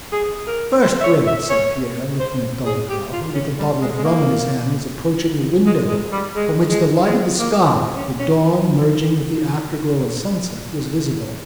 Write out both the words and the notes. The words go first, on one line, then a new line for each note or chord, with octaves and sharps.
"First-rate," said Pierre, looking at Dolokhov, who with a bottle of rum in his hand was approaching the window, from which the light of the sky, the dawn merging with the afterglow of sunset, was visible.
G#4
A#4
C5
E5
C#5
E5
C#5
C5
G#4
G4
F4
C#4
G3
G#3
G#3
A#3
G#3
G#3
G3
G#3
G#3
G#3
A#3
C4
C#4
C#4